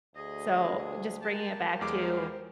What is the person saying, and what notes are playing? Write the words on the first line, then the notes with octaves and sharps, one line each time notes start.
so, just bringing it back to
D2 G#4 D#5
G4 A#4 A5
E2 F#3 G#3 F5 D6